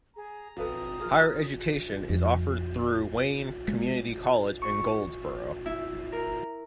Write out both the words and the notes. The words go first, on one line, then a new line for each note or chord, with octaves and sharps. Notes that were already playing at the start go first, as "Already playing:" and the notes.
Higher education is offered through Wayne Community College in Goldsboro.
G#4 A#5
C4 A4 B4 F5 D#6
F4 G#4 A#4
F2
G#3
C#6
E4
A#4